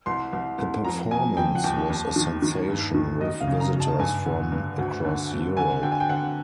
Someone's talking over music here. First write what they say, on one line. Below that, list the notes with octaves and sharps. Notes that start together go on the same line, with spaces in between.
The performance was a sensation with visitors from across Europe.
C2 C6
C2
C2
F2 A#5
F2 G#5
F2 G5
F#5
D#2 G5
D#2
D#3
D#3
G2
D#3
F#2 D#5
F5
C#3
A#5
F#2
A5
G2 G#5
D3
G2
D2
D3
D2
D3 G#5
D3 G5
G#5
G5
D3 F#5